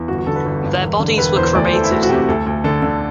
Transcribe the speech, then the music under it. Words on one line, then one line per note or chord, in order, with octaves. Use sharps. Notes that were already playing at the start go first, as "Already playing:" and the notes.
Their bodies were cremated.
Already playing: E2
G1 F#4
F#4
D3 A4
B4
G1
G2
E1
D3
E1 B4
E2 C5
D2 D5
C5
E3 A4
E4
D2 F#4
F#4
C3 G4
D2 A4
D2
D3 A4
D3